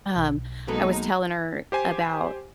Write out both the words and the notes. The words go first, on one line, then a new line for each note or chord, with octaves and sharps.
um, I was telling her about
B1
F#3 G#3 A#3 B3 D#4 A4
G4 C5 G#5